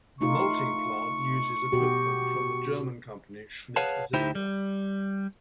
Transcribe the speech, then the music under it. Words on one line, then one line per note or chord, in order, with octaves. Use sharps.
The malting plant uses equipment from the German company Schmidt-Seeger.
A3 D#4 F4 C#6
B2 F#4 G4
G#4 B4 C#5 F5 F#5 A5
D2 D#4 E4 G4 C5 G5
G3